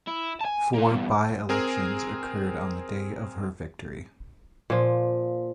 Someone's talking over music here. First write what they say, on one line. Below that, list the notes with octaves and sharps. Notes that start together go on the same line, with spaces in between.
Four by-elections occurred on the day of her victory.
E4
G#5 A5
A#3 F4
E2 G2
C4 G#4 A#4
A#2 F3